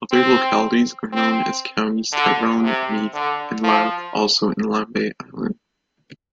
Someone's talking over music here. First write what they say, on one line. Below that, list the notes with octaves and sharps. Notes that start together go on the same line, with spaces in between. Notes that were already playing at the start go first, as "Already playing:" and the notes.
Other localities are known in counties Tyrone, Meath and Louth, also in Lambay Island.
C4
C4
D3
C3
D3
F3